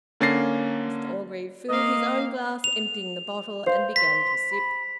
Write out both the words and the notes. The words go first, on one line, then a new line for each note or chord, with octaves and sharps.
Mr Orgreave filled his own glass, emptying the bottle, and began to sip.
D3 A#3 C#4 A6 A#6 C7
A#3 D#5 F5
F7
C5 F5
C6 B6
B5